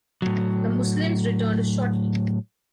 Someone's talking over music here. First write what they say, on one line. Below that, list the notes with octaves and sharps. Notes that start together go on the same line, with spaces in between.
The Muslims returned shortly.
A2 F#3